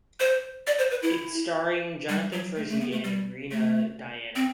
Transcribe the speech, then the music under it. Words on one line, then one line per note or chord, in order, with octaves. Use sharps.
It starring Jonathan Frizzy and Rina Diana.
C5
D5
C5
B4
E4
G3
F#3
A3
A3
B3
A3
G3
A3
C4